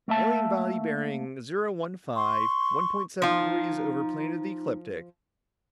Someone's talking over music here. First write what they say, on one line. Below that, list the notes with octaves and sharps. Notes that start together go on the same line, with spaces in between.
Alien body bearing zero-one-five, one-point-seven degrees over plane of the ecliptic.
A3 A#3 E5 A5
C6 C#6
F3 D#4 F4